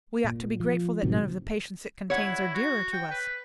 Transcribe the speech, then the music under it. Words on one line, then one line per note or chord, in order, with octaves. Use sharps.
"We ought to be grateful that none of the patients it contains are dearer to us."
A#2
F3
A2 C3 D#3 F#3
E4 C#5 F#5
F#4
G5
B4